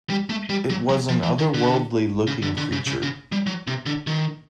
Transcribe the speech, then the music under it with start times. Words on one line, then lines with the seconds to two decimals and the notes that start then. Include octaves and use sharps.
It was an otherworldly looking creature.
0.10 G3
0.30 A3
0.50 G3
0.70 F#3
0.89 F#3
1.09 F3
1.23 E3
1.39 D#3
1.54 D3
2.27 C#3
2.42 D3
2.57 D3
2.72 C#3
2.87 C#3
3.03 C#3
3.32 G3
3.47 F#3
3.67 C3
3.86 D3
4.07 D#3